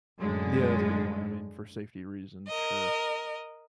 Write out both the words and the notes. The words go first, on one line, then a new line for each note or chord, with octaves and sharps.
Yeah, that's a good point, I mean, for safety reasons, sure.
F#2 A2 D3 G#3
A#4 D#5